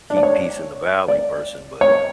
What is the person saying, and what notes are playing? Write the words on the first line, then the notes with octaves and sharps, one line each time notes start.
keep peace in the valley person, but
D4
D5
C#5
D5
C#5